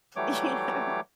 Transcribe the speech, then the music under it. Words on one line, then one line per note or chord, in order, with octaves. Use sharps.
you know,
E3 F#3 G3 A3 C#5 D6